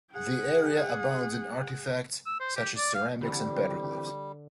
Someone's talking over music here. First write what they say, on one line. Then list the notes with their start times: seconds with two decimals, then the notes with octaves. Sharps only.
The area abounds in artifacts such as ceramics and petroglyphs.
0.12 G#4 F#5
2.26 E6
2.40 C5
2.56 G4
2.77 D5
2.94 F5
3.21 D3 E3 G3 C4 G4